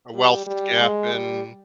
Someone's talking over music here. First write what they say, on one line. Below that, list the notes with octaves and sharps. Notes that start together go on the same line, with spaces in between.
a wealth gap in
G3
G3
G#3
G3